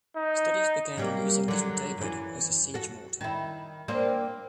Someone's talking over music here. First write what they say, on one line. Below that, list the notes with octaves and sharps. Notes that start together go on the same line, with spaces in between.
Studies began on using Little David as a siege mortar.
D#4
F#3 G3 A#3
D3 F#3
F#2 E3
F#4 A4
D#3 E4
A#3 C4 D4